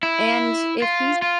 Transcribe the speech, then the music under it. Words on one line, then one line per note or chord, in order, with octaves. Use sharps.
And if he's
E4
F4
F4